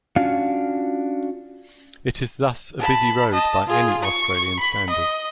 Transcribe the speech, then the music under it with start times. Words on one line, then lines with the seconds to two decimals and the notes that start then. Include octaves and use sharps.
It is thus a busy road by any Australian standard.
0.16 C#4 D4 F4 F#4 F5
2.80 A5 B5
3.32 D#5 A5
3.68 F4 G#4
4.03 C#6
4.60 B5
4.90 D#5